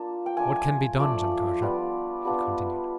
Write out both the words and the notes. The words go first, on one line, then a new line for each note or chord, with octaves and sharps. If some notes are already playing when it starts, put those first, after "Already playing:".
"What can be done, John Carter?" he continued.
Already playing: A#3 D4 F4 A5
G5
F3 A3 D4 G#5
F3 A3 D4 D5
G3 B3 D4 F4
G3 B3 D4 F4